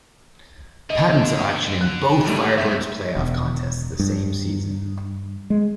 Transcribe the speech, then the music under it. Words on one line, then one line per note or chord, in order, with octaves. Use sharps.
Patten saw action in both Firebirds' playoff contests the same season.
D3 D#5
F#6
A1 A#2 G3 A3
G#2 B2 E5 G6 B6
E1
G2
G#3